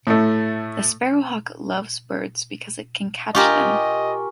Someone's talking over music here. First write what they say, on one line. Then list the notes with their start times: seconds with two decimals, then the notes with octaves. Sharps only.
The sparrowhawk loves birds because it can catch them.
0.07 A2 A3
3.35 F4 G4 A#4 D#5 G#5 C#6